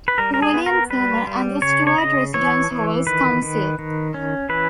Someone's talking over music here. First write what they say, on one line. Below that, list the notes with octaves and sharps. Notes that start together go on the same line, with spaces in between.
William Turner and the Stuart Residence Halls Council.
B4
G3 A#4
A#4
G#4
B3
A#4
G3 B4
G3
C#3 C#5
C#5
C#3 D#5
E3 C#5
E3
D#3 B4
D#3
D#3
C#4
E3 B4